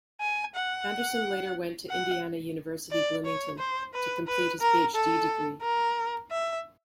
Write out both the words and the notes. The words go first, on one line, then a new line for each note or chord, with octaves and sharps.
Andersson later went to Indiana University Bloomington to complete his Ph.D. degree.
G#5
F#5
F#5
D5
C#5
C5
B4
B4
A#4
A4
A#4
E5